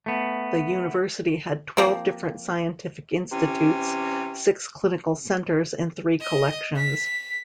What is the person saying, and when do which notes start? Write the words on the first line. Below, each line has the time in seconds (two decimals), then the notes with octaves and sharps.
The University had twelve different scientific institutes, six clinical centers, and three collections.
0.06 A3 B3
1.77 F3 A#3 C4
3.32 C3 E3 C#4
6.21 D#5
6.76 B6